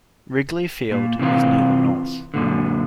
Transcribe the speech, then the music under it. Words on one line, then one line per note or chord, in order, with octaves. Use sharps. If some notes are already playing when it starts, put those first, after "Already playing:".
Wrigley Field is near the north.
A#2
C3 E3 C4 F4
F#2 A#2 D3